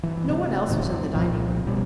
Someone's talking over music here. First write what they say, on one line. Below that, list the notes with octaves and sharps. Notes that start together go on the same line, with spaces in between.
No one else was in the dining-room.
G2 E3
D2 C3
D1 A2 D#3 C4
F1 G2 C3
C2 A#2 F3 C4
D1 B2 G3 C#4